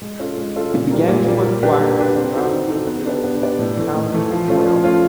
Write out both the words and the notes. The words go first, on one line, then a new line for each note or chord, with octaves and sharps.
It began to acquire the surrounding villages and towns as well.
G#3
C#4 F4 A4
G#3
C#4 F4 A4
A#2
G3 A#3
A#2
G3 A#3
A#3
D4 G4 B4
A#3
D4 G4 B4
C4
D#4 F#4 A4 C5
C4
D#4 F#4 A4 C5
B3
D4 G4 B4 D5
B3
D4 G4 B4 D5
A2
E3 A3
A2
E3 A3
F3
A3 C#4 F4
F3
A3 C#4 F4